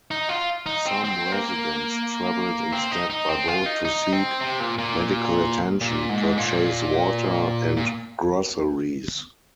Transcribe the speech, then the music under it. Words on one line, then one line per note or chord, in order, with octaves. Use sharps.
Some residents traveled instead by boat to seek medical attention, purchase water, and groceries.
D#4
F4
D#4
C4
C4
A#3
C4
D#4
D#4
C4
F4
D#4
D#4
C4
C3
A#2
A#2
A#2
G#2
A#2
A#2